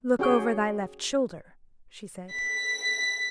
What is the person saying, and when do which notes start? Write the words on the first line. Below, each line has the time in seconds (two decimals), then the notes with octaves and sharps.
"Look over thy left shoulder," she said.
0.19 C#4 F#4 G#4 G5
2.31 B6